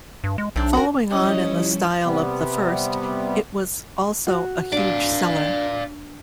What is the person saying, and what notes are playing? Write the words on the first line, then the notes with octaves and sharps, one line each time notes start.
Following on in the style of the first, it was also a huge seller.
G2
G#3
B1 C4 D4
F#4 A#4
F3 G3 C#4 E4 D#5
C3 G3 B3
F#4
D4 D5 F5